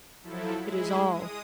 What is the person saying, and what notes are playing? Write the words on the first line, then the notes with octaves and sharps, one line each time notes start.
It is all.
F3 F#3 E4 A4
G#3 E4 G#4
G#3 D#6